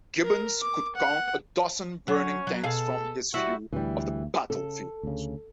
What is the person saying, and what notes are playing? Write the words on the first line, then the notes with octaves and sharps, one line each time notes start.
Gibbons could count a dozen burning tanks from his view of the battlefield.
A#4
D6
F#5
F#3 C#4
F#3
B2 G#4 A4 F5
G3 E4 F#4
D2 E3 G3
C#3 A4
D2 C#3